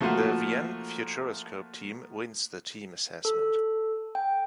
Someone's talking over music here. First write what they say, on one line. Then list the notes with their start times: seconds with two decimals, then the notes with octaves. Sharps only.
The Vienne Futuroscope team wins the team assessment.
0.01 F3 A3 A#3 F4 F#4
3.25 A4
4.15 G5